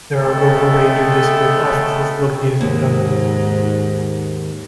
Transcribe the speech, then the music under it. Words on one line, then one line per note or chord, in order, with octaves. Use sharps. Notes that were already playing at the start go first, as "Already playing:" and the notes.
There are local ranger district offices located in Douglas.
G#3 A3 B3 A4 E5 G5
D#2 G#2